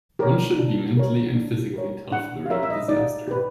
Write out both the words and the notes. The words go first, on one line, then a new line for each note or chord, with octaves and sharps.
One should be mentally and physically tough during a disaster.
G4 A#4 C#5
D4
G4 A#4 C#5
D4
G4 A#4 C#5
D4 F#5
F5
G4 A#4 C#5 E5
E5
D#5
D#4 D5
G4 B4